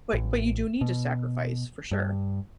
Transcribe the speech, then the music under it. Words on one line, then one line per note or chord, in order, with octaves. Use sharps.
but but you do need to sacrifice, for sure.
A1
B2
G2